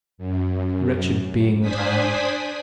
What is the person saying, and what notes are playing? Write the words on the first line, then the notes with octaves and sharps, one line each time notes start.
Wretched being that I am!
F#2
D4 C5 D5 G#5 D#6 B6